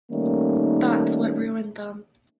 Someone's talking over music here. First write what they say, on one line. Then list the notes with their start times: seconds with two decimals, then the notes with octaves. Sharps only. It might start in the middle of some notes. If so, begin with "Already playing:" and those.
That's what ruined them.
0.11 D#3 G3 A3 A#3 C#4 D#4